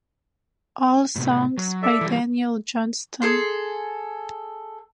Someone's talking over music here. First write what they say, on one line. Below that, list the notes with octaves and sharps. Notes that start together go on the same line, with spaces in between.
All songs by Daniel Johnston.
A2 C3 B3
F#3
A4 D5 E5
E3 G3
G#4 A4 C6